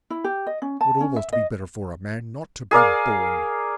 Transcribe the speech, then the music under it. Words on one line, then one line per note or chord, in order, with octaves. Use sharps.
It would almost be better for a man not to be born.
E4
G4
D#5
C#4
A5
C#4
E5
D#5
G#4 A#4 D5 F5